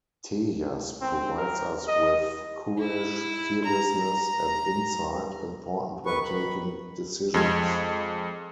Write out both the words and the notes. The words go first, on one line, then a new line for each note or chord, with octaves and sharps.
Tejas provides us with courage, fearlessness and insight, important when taking decisions.
C4
A#4
D#5
E4
A#5
D#3 B3 B4 C#6
B5
F2 G#3 G#6